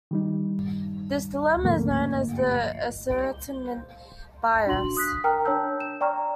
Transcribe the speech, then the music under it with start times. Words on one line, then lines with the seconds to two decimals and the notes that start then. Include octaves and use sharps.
This dilemma is known as an ascertainment bias.
0.11 D#3 G3 D#4
1.63 D#2 G#2 D3 F3 A3 A#3
4.67 D4 F#4 C6 F#7
4.97 D#6 F#6 B6
5.24 A#4 G5 A#5 F6
5.45 D4 C#5 G5 A5 E6 G6
5.80 E7
6.01 D5 G5 A#5 C#6 F6